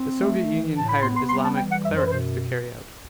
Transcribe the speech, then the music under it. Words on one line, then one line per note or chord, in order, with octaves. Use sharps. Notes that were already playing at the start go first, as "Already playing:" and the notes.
The Soviet Union hired Islamic clerics to carry out.
Already playing: C4
A3
E3
A2 A5
B5
B3 C6
C6
G3 C6
A5
E3 G5
F#5
F#2 E5
C5
B4
B2 C5